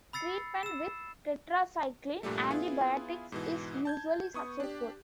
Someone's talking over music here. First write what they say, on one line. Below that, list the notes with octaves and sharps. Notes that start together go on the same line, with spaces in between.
Treatment with tetracycline antibiotics is usually successful.
B5 E6 A6 C7 C#7
E6 E7
A#1 G2 A#2 G3 A3
B3 E4 F4 G#4
G#2 B2 E3
A5 G6 G#6
B3 C#6 D#6
D4 G4